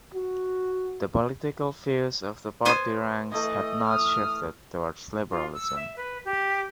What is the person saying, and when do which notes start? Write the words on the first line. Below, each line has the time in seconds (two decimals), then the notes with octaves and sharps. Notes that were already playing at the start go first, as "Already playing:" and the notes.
The political views of the party ranks had not shifted towards liberalism.
0.14 F#4
2.65 B3 C5 G#5
3.32 E3 A3 D#5
3.85 D#6 F6
5.30 F4
5.54 E6
5.76 E5
5.96 B4
6.25 G4